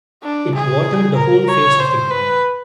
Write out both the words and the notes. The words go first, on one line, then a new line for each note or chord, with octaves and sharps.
It watered the whole face of the ground.
D4
G#4
A#4
C#5
C5
B4